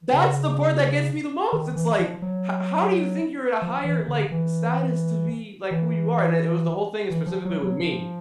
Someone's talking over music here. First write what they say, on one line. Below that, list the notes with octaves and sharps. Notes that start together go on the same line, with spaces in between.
That's the part that gets me the most, it's, like, "H how do you think you're at a higher, like, status to be, like, who you are," and it was the whole thing is specifically with me
C#3
D#3
E3
F3
F#3
F3
E3
D3
E3
E3
E3
F3
F#3
F#3
F3